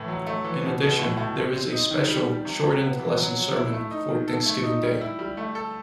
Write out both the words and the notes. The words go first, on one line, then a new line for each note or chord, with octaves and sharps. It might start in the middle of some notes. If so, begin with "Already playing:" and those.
In addition, there is a special, shortened Lesson-Sermon for Thanksgiving Day.
Already playing: A2 E3
F#3
A3
E3
B2
B2
A2
A2
C4
C4
D#4
D#3
G3
G3
C3
C3
B3
E3
F#3
F#3
E4
A3
D#4
D#3
A4
A3
D#4
G3
E4
G3
A3
A4